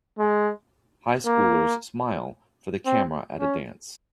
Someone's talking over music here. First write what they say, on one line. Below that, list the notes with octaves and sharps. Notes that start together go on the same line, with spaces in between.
Highschoolers smile for the camera at a dance.
G#3
A#3
C4
C#4